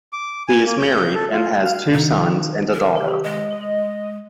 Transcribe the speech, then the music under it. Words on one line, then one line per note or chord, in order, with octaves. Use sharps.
He is married and has two sons and a daughter.
D6
G#5
A#3
G6
A4
F4
F#4 F5
C3 D#3 D#4
A#4
G4
G#3 D#5